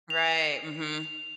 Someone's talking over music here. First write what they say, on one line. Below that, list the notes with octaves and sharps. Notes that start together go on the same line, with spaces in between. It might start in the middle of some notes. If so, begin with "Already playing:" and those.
Right, mhm.
F7